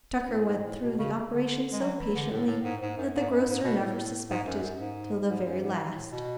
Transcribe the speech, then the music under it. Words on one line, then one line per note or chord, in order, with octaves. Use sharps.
Tucker went through the operation so patiently, that the grocer never suspected till the very last.
G#2
A2
G#2
A2
B2
C#3
D3
G#3
F#3
E3
D3
A2
A2
G#2
G#2
F#2
G#2
F#2
G#2
B2
A2
G#2
F#2
F#2
G#2
G#2
F#2
G#2
A2
B2